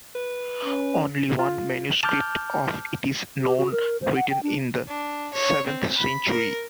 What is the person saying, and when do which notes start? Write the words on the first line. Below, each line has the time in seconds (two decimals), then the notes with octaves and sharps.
Only one manuscript of it is known, written in the seventh century.
0.15 B4
0.65 C#4
1.39 F4
2.03 A5 D6 F6 G6
3.41 G4
3.57 F#4
3.72 A#4
4.02 C5
4.16 F#5
4.30 G5
4.43 D4
4.88 D4
5.34 C#5
5.67 C4
5.98 B5
6.31 A#4